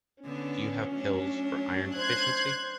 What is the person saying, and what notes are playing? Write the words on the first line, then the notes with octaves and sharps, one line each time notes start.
Do you have pills for iron deficiency?
D3 B3 C#4 D4
F#3 A3 D4
C5 F#6 G#6